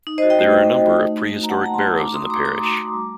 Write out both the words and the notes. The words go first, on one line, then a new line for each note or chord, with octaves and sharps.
There are a number of prehistoric barrows in the parish.
D#4
F#4 C5 D#5
D#5 G5
A3
A3
F#4
A3
D#4
D#4
F#4
A#5
D#4 F#5 A5
A#3 A#5
A5 C6
D#4
A3 A#5 D6
F#4 C6 D#6
A3 A#5 D6
A3 A#5 D6
F#4
A3
G3